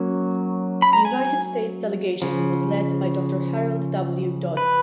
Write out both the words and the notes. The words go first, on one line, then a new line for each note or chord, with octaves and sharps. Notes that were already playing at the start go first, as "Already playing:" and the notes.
The United States delegation was led by Doctor Harold W. Dodds.
Already playing: F#3 A#3 C#4
B5
A#5
G#5
C#3 F3
B4